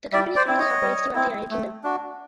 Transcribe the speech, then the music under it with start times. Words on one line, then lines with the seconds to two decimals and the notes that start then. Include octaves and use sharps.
The company currently operates throughout the United Kingdom.
0.12 G3 D5 E5
0.36 C5 D5
0.47 C4 E4
0.58 C#5 D#5
0.82 G3
1.15 C4 E4
1.51 A3
1.84 D4 F#4